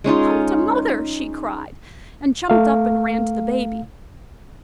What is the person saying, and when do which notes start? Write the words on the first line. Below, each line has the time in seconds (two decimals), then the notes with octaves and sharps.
Come to mother,' she cried, and jumped up and ran to the baby.
0.04 G#3 C#4 D#4 F4
2.50 A3 F5